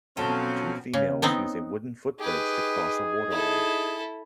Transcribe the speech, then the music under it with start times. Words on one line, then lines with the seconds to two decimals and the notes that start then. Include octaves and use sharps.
Two females use a wooden footbridge to cross a waterway.
0.17 B2 F3 F#3 C4 C#4 A4 G5
0.93 C#3
1.22 B3 C4 D#4
2.19 D#4 G4 G#4 B4
3.31 E4 A4